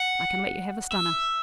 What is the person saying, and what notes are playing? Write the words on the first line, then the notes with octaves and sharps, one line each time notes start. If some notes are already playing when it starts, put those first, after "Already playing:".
I can let you have a stunner.'
Already playing: F#5
E5